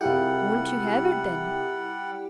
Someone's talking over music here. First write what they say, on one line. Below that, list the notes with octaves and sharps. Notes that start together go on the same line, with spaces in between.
'Won't you have it, then?
C2 G3 E4 F4 G4 G#4 F#5 G5